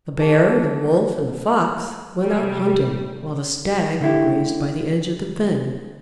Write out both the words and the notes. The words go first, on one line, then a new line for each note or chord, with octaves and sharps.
The Bear, the Wolf, and the Fox went out hunting, while the Stag grazed by the edge of the fen.
D#4 G#4 A5
C3 G3
D3 A3 E4 G4